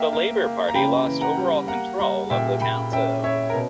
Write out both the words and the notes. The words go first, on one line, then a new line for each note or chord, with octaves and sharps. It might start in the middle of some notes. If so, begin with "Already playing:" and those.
The Labour party lost overall control of the council.
Already playing: A#3 E5 G5
A#3
A#3
A#5
C#3 G5 B5
E3
F#5 A#5
G3
A#3 F#5 A#5
G3 F#5 A#5
A#2 E5 G5
A#2 G5 B5
C#4 E5 G5
C#4 C#5 E5
A#4
B2